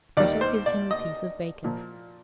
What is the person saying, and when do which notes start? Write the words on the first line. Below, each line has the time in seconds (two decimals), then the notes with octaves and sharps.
Grettel gives him a piece of bacon.
0.17 D#2 D#3 G3 D5
0.41 C5
0.66 D5
0.91 D#5
1.64 A#2 F3 A#3